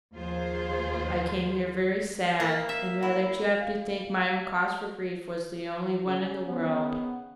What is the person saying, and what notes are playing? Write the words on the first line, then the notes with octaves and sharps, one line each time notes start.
I came here very sad, and rather too apt to think my own cause for grief was the only one in the world.
D#2 F3 F4 G#4 C5
A#3
E5
E4
F5
C#3
B3